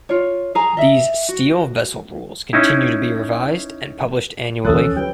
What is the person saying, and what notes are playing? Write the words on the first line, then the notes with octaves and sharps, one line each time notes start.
These Steel Vessel Rules continue to be revised and published annually.
F4 C#5
G#4 G#5 A#5
D#5 E5
F#4
C#4 D#4 E4
D2 E3 F3 C#4 A4 D#6 F#6
F#3 G4 B4 G5